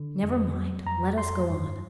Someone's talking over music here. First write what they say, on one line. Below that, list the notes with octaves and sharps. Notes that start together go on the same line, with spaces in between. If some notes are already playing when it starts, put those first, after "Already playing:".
"Never mind; let us go on."
Already playing: D3
F2
F#3
F2 A#5
F2 C6
G2